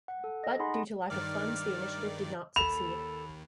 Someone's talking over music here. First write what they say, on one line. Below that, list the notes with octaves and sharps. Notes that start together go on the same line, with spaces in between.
But, due to lack of funds, the initiative did not succeed.
F#5
A4
D#5 A#6
D#4 G#4 F#5 G#5 B5 C6
G2 D#3 D5 F6
D#2 A4 B5 F7